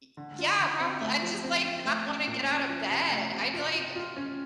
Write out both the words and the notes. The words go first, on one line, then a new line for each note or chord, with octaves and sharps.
Y yeah, probably. I just, like, not wanna get out of bed. I'd, like,
D3
F4
D3
C4
A3
F3
C4
C4
A3
C#4
A#2
C#4
F3
C3
A3
C3
F4
F4
F4
C#4